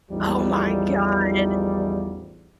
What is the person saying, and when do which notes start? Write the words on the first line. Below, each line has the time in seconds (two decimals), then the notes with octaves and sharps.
Oh my god!
0.10 A1 E2 F3 G3 D#4